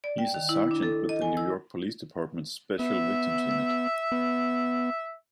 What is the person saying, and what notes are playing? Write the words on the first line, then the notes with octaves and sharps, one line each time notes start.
He is a sergeant with the New York Police Department's Special Victims Unit.
D5
G5
D#3
E4
D4
A4
D#5
G#5
E6
B3 E5
B3